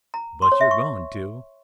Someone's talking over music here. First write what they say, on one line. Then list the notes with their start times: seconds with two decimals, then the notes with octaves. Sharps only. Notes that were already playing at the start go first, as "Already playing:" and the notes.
"But you're going to?"
0.14 A#5
0.42 C6
0.52 C#5
0.61 E5
0.71 C#6